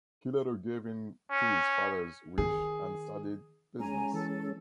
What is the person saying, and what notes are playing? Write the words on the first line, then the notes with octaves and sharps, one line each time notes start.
He later gave in to his father's wish and studied business.
C#4
D#3 G#4
G#3 C#4 G#5 A#5
E3 A4